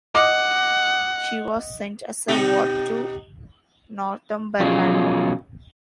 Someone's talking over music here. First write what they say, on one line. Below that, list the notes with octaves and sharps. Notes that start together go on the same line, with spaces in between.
She was sent as a ward to Northumberland.
D#5 F#5 D6
B2 D#4 G4
B2 F3 F#3 C#4 F4 G#4